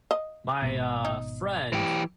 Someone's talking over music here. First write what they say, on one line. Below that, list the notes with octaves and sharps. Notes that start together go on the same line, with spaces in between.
my, uh, friend,
D#5
G#1 B2
D#4
E3 G4